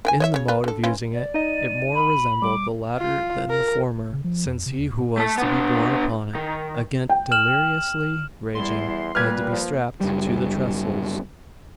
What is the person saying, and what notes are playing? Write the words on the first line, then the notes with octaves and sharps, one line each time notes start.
In the mode of using it, it more resembled the latter than the former: since he who was to be borne upon it, again deliriously raging, had to be strapped to the trestles!
D#3 G5 G#5
C#5 D#5 E5
C#3 C#5
F4 B4
D3 A4
E3 C#4 F4
D5
D#4 D#5 D#7
B5
G3 D6
F4
A#4
F#1
C#3
F3
F2
C3
D#2
A2
A3 A5
B3 D4
D#3
G5
F6 E7 F#7
E2 G3 E4 C6
A#2 G3 A#3 B4 F6 G#6
F3
F#1 G3